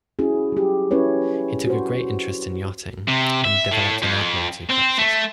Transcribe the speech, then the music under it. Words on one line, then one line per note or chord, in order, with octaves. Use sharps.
He took a great interest in yachting and developed an Admiralty practice.
C#4 E4 F#4 G#4
F#3 G4
C#4 E4 B4 C#5
F#4 C5
C3
E5
A2
F2
C4
A3